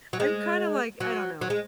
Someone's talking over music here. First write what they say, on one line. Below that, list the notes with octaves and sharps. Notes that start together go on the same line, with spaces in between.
I'm kinda, like, I don't know.
F#3
G#3
F#3
F#3
G#3